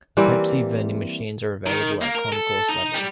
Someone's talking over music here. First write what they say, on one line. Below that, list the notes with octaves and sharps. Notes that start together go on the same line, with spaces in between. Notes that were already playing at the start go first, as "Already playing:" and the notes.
Pepsi vending machines are available at concourse level.
E3 G3 A#3 C4
D#3
A#3
A#4
A4
D#4
G3